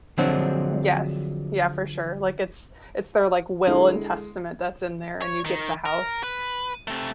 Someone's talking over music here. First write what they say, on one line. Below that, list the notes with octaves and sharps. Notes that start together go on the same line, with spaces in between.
Yes. Yeah, for sure, like, it's it's their, like, will and testament that's in there, and you get the house.
D3 F3 F#3 G#3 C4 D4
D3 G#3 E4
C#5
D#3
A#4
B4
C3 A3